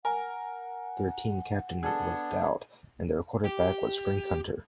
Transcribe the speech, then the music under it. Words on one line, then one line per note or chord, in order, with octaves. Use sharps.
Their team captain was Dowd and their quarterback was Frank Hunter.
A#4 F#5 G#5
B3 D4 G#4 A4
G4